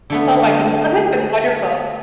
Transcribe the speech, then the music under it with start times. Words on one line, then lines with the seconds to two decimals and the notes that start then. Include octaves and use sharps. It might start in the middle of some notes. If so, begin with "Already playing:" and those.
Oh my goodness, but hey its been wonderful.
0.10 D3 A3 B3